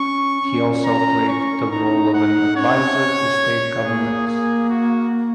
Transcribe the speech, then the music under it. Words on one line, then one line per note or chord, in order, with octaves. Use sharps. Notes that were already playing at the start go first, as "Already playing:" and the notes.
He also played the role of an advisor to State governments.
Already playing: C#4 C#6
C#4
A#5
C#6
D#4 A#5
F#5
C#4 C#5
A#3 G#4
G#4
F#4